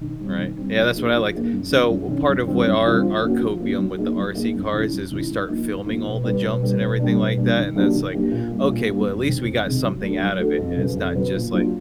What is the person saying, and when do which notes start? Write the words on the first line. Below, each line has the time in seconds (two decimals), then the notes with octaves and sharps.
Right? Yeah, that's what I liked. So, what part of where our our copium with the RC cars is we start filming all the jumps, and everything like that, and then it's like, "Okay, well, at least we got something out of it," and it's not just, like,
0.01 D#3
0.20 G3 C4
0.38 D#3
0.58 G3 C4
0.77 F3
0.96 A#3 D#4 G#4
1.15 F3
1.33 A#3 D#4 G#4
1.52 F#2
1.70 D#3 G#3 C#4
1.89 F#2
2.08 D#3 G#3 C#4
2.28 F#2
2.47 D#3 G3 C4 F4
2.65 F#2
2.84 D#3 G3 C4 F4
3.02 F3
3.22 A#3 C#4 F#4
3.40 F3
3.60 A#3 C#4 F#4
3.78 F#3
3.97 A#3 D#4 G#4
4.16 F#3
4.35 A#3 D#4 G#4
4.54 F#2
4.73 D#3 G#3 C#4 E4
4.92 F#2
5.11 D#3 G#3 C#4 E4
5.30 G#2
5.48 F3 A#3 D#4
5.67 G#2
5.86 F3 A#3 D#4
6.04 B2
6.24 G3 B3
6.42 B2
6.62 G3 B3
6.81 B2
6.99 G3 A#3 D4
7.19 B2
7.37 G3 A#3 D4
7.56 D#3
7.75 F#3 A#3 D4 G4
7.94 D#3
8.13 F#3 A#3 D4 G4
8.31 A#2
8.51 G3 A#3 D4
8.69 A#2
8.88 G3 A#3 D4
9.07 F2
9.26 C3 D#3 G#3 C4
9.44 F2
9.63 C3 D#3 G#3 C4
9.83 F#3
10.01 A3 D4 F#4 A4
10.20 F#3
10.38 A3 D4 F#4 A4
10.58 F2
10.76 C#3 F#3 B3
10.95 F2
11.14 C#3 F#3 B3
11.34 A#2
11.52 F#3 A#3 D4 F4